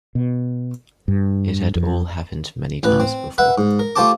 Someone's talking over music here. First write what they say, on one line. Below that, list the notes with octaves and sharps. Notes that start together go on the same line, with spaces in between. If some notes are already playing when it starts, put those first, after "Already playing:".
It had all happened many times before.
B2
G2
F2
A1 B4
C4
B4 E5 F#5
G#2
A#4
A3 F4 G4 C5 A5 D6